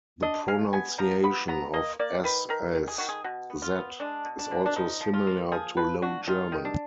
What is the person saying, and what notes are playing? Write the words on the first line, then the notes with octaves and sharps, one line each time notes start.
The pronunciation of "s" as "z" is also similar to Low German.
D4 D#5
G#3 F5
B3 G#5
F3 A#5
B3 B5
B3 A#5
A#3 D#5
A#3 D5
D#3 B4
D#3 A#4
D#3
G#4
D#3 F#4
G#4
B2 F#4
B3
F4
B3
G#3 D4
B2
D4
B2
D4
F3 D#4
F3
F4
A#3
F3 G#4
F3 B4
D4 F#4
D#3 F4
D#3
D4